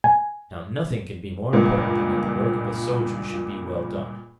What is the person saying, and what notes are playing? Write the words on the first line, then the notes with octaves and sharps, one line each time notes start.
Now nothing can be more important than that the work of a soldier should be well done.
G#5
C#2 G2 A#2 A#4